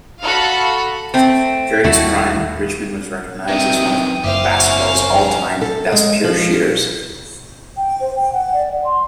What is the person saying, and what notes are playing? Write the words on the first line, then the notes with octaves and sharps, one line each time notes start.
During his prime, Richmond was recognized as one of basketball's all-time best pure shooters.
F#4 A4 F5 B5
A3 C4
D#2 D#3 G3 A3 E4 F#4
C3 D#3 E3 G5 D#6
F#1 E4 G4 C5 F5
F2 C#4
A4
G#3
F3
G5
C5
G5
F#5
D5
F#5
C6